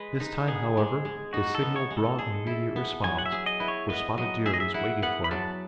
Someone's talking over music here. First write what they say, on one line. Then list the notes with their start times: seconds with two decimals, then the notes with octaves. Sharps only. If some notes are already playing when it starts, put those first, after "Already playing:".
This time, however, his signal brought an immediate response, for Spotted Deer was waiting for him.
Already playing: G#3 B4
0.20 D#4
0.47 B3 G#4
0.77 G#3
1.05 G#3
1.33 D#4 F#4
1.55 A4
1.62 B3
1.76 C#5
1.91 G#3
1.97 A4
2.19 G#4
2.47 E4
2.76 B3
3.04 F#3 G#5
3.18 F#5
3.26 E5
3.32 G#4
3.46 D#5
3.60 E4 B4
3.68 C#5
3.89 B3 D#5
4.18 F#3 D#5
4.46 G#4 E5
4.54 D#5
4.60 E5
4.74 E4 F#5
5.02 B3 F#5
5.24 B5
5.31 F#3 A5